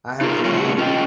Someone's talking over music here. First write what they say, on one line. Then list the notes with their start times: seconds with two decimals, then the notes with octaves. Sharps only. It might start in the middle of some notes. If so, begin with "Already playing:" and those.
I haven't made
0.21 D#4 F4 G#4 A#4
0.45 F2 A2 G3 F4 A#4 C#5
0.57 A2 C3 F#4
0.78 C#4 F4 F#4 D#5 G5